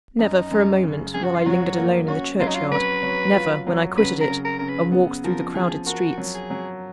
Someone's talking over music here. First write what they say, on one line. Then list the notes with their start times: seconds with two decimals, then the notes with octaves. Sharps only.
Never for a moment, while I lingered alone in the churchyard; never, when I quitted it, and walked through the crowded streets.
0.19 F#2 D#4
0.51 F#2
0.83 C#3
1.14 F#2 G#4
1.24 F#4
1.34 F4
1.45 F#3 F#4
1.78 A#3
2.08 C#4 F#4
2.39 F#3 F4
2.48 D#4
2.55 F4
2.71 F#3 B4
3.03 F#3
3.35 F4
3.67 F#3
3.97 C#3 B4
4.21 A#4
4.30 C#3
4.45 A#4
4.59 C#3 A#4
4.68 B4
4.92 B3
5.24 F3 A#4
5.55 F3 G#4
5.86 F#4 A#4
6.17 F#3
6.34 G#4
6.50 F#3